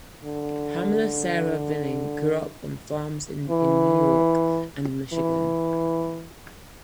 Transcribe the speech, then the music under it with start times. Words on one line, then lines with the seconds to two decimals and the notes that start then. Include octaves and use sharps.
Pamelia Sarah Vining grew up on farms in New York and Michigan.
0.24 D3
3.50 E3
5.13 E3